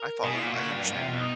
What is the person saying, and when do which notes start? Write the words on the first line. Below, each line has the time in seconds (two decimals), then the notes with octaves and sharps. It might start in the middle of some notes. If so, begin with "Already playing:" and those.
I follow. I understand that.
Already playing: A#4
0.23 B2 G#4
0.33 E4
0.39 A#2 F4
0.47 F#4
0.55 A#2
0.71 G2 F4
0.83 F#2
0.94 C3
1.07 B2
1.19 D#4